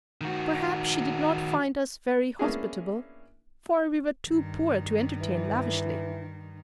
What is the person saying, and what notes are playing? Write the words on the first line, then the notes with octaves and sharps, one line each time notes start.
Perhaps she did not find us very hospitable, for we were too poor to entertain lavishly.
D#3 F#4
A#3 B3 C#4 D4 E4 G#4
G2 D#3
E3